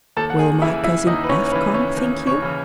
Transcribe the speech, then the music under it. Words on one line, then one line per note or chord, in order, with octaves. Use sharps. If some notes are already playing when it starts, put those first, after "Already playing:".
Will my cousin F. come, think you?
D#2 A4 A5
F#5
G#4 G#5
C#3 E3 E4 E5
E4 E5
D#2 D#4 D#5
B4
C#4 C#5
C#5
C#3 E3 B4
C#4 C#5
D#2
C#5 C#6
C#3 E3